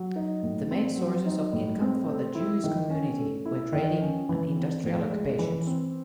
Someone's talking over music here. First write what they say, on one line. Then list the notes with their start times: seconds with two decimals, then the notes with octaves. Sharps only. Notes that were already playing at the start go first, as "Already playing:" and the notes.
The main sources of income for the Jewish community were trading and industrial occupations.
Already playing: F#3
0.16 D#4
0.43 A2
0.71 C4
0.97 F#3
1.26 D#4
1.53 A2
1.81 C4
2.08 A3
2.35 E4
2.64 D#3
2.90 C#4
3.18 A3
3.46 E4
3.73 D#3
4.02 C#4
4.29 E3
4.56 C4
4.84 A2
5.12 G#3
5.39 E3
5.67 C4